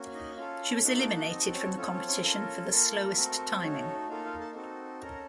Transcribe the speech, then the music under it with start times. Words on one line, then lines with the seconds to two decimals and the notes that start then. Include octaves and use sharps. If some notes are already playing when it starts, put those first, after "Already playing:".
She was eliminated from the competition for the slowest timing.
Already playing: A#3 C#4 F#4
0.14 D#4 D#5
0.37 C#4 F4 A4 F5
0.84 A#3 D#4 F#4 A4 F#5
0.92 A5
1.00 F#5
1.08 A5
1.16 F#4 F#5
1.30 C4 D#4 F#4 A4 D#5
1.53 C#4 C#5
1.76 C4 C#4 F4 A4 C#5
1.92 C#4 C#5
2.08 C#4 C#5
2.23 C#4 F4 A4 A#4
2.69 A#3 F4 A4 A#4
2.93 A#4
3.16 A3 C4 F#4 A4 A#4
3.62 A3 C#4 D#4 F#4 A4 C#5
4.09 A#3 D#4 F4 A4 F5
4.24 F4 F5
4.40 A4 A5
4.55 C4 D#4 F#4 A4
5.02 C#4 A4 A#4 A#5